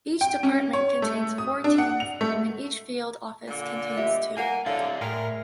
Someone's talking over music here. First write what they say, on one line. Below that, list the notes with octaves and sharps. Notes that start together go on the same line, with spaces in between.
Each department contains four teams and each field office contains two.
G5
C#4
C#5
A3
D#6
D4
F#5
F7
A3
A#2 D3
G4 D#5 E5
A#3 B4 F5 F#5 G#5
D3 E4 C#5 D5 E5 F5
A2 G#3 A#4 E5 F5 G5